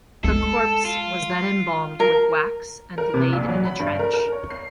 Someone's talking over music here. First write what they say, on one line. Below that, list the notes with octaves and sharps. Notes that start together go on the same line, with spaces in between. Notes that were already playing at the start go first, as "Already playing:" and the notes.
The corpse was then embalmed with wax and laid in a trench.
G#3 A4
F4
A#4
A#4
C3
A#1
F#3
B5
G2
A#4
A#4
C#5
C7